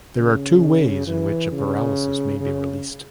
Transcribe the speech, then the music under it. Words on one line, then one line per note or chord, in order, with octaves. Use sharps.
There are two ways in which a paralysis may be released.
C#3
E3
C#3
C#3